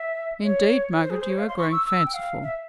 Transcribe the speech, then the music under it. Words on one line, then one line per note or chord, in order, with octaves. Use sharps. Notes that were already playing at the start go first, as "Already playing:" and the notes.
'Indeed, Margaret, you are growing fanciful!
Already playing: E5
C#5
C5
G#4
C5
C#5
F5
C6
C#6
E6
E6
G5
F5
E5